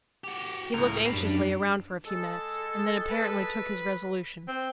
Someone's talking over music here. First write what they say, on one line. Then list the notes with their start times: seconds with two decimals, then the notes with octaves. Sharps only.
He looked anxiously around for a few minutes, and then apparently took his resolution.
0.24 F#4 G4
0.74 C#2 A2 A#4
1.06 F#2 D4 G4 B4 C7
2.05 G#3 A4
3.11 B4
4.47 C4